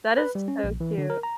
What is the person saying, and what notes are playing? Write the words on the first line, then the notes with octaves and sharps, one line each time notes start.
That is so cute.
B4
G3
C#4
A#1
E3
D3
A#4
A#5